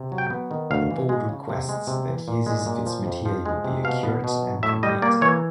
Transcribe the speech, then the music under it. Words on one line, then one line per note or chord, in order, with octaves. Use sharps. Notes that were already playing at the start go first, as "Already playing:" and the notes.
The Board requests that uses of its material be accurate and complete.
Already playing: C3
F#3
G5
B3
D#3
D2 F5
E3
G#3
C#3
C3
G#3
C3
E3
A#2
G#3
A#2
F3
F2
F3
G#3
C3
B2 F5
B3
B2
F#3
A2 E5
G3 D#5
A#3 D5
E3 C#5